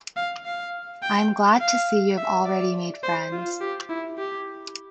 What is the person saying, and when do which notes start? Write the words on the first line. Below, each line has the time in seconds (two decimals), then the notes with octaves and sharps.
I am glad to see you have already made friends.
0.16 F5
0.46 F5
1.03 G5
1.60 F5
2.17 E5
2.46 D5
3.03 C5
3.32 F4
3.61 G4
3.89 E4
4.18 G4